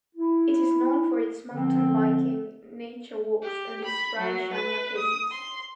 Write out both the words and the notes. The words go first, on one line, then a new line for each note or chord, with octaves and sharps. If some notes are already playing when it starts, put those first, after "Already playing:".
It is known for its mountain biking, nature walks, and the Sri Jangha caves.
E4
D3 F3 C4
G4
B5
F#3
B4
D#6
C6